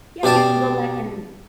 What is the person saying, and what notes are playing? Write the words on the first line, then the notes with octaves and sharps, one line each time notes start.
Yeah, you can go back and
B2 G4 D5 F5 A5